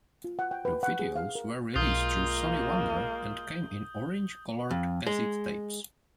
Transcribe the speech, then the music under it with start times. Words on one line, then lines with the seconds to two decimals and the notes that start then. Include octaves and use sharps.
The videos were released through Sony Wonder and came in orange-colored cassette tapes.
0.24 F4
0.39 F#5
0.51 G5
0.65 B4
0.83 F#5
0.99 G#4
1.16 F5
1.35 A#4
1.76 B1 G#3 A#3 F4 D#6 G6 G7
4.71 F2
5.07 G#3